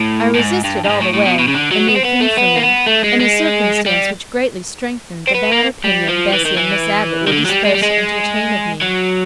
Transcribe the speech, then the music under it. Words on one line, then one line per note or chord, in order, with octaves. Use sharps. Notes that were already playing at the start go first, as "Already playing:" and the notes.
I resisted all the way: a new thing for me, and a circumstance which greatly strengthened the bad opinion Bessie and Miss Abbot were disposed to entertain of me.
Already playing: A2
A2
G#2
G2
G2
G#2
A2
A2
B2
B2
C#3
D3
F#3
B3
C4
B3
A3
B3
A#3
B3
A3
G#3
G#3
G3
C4
B3
A#3
G3
F3
E3
D#3
E3
D#3
D3
F#3
G3
G#3
G3
G#3
F#3